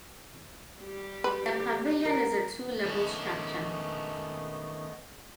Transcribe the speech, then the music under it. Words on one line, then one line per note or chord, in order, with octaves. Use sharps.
The pavilion is a two-level structure.
G3 G4
B4
A#4
D#3 A3 B3 C#4 D4 D#5